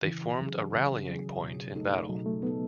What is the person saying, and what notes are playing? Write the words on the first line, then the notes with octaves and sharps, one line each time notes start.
They formed a rallying point in battle.
D#3
C#3 E3
F#3 C#4 G#4
C#3
F#3 C#4 G#4
B2
A3 D#4 A4
B2 F#3
A3
A3 B3 D#4 A4